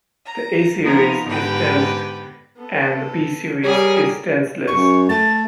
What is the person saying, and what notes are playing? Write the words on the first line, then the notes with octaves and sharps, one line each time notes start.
The A-Series is tensed and the B-series is tenseless.
A#5
F3 B3 D#4 A#4
G#2 D3 B3 G4 B4 G5
B3 A4
G3 G4 G#4 A#4 C#5
F#2 C#6
A3 A6